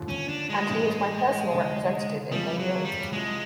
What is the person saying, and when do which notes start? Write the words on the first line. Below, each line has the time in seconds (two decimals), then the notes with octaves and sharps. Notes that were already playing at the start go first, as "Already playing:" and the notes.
And he was my personal representative in Beijing.
Already playing: D#2 D3 F3
0.09 C#4
0.28 D4
0.49 G#3
0.69 A1 G2 E3 G3
1.51 F1 F2 D3
2.31 F2 C#3 F3 G3 G#3 C4
2.58 F#3
2.85 G3
3.13 C2 C3 F3 G#3